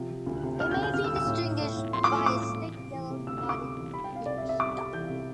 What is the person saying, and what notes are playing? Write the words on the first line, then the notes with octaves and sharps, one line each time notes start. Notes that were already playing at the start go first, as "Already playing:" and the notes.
It may be distinguished by its thick, yellow knotted rootstock.
Already playing: C3 F3
F3
D2
C3
D2 F6
G6
D2
G6
D2 F6
E6
D2
E6
A2
A2
A2
A2
F3 C6
D6
A3 E6
A2 D6
A2
E3
C3
E3
C3
D2 E6
E6
D2
D6
C3
E3
G3 B5
G5
C3
F5
C2 D5
E5
C3
E5
G3 D6
G3
E3 G6
C3